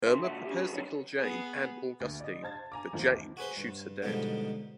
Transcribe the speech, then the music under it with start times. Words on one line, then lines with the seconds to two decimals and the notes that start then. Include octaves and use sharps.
Irma prepares to kill Jane and Augustine, but Jane shoots her dead.
0.06 D3 E5 C6
0.25 C#2 A#2 F#4 E5
0.45 C#4 D4 G4
0.60 F3 F#4 G#4 B4
0.73 C3 F#3 B3 C#4 D4 C#5
1.18 B3 G#4
2.00 D2
2.20 D5 D#5
2.43 C5 A5 G#6 A6
2.72 G#5 A#5 D6
2.93 G#1 E2 F3 A3
3.37 F#4 G#4 B4 C5
3.57 G2
4.02 G#2 B2 D3 F3 G3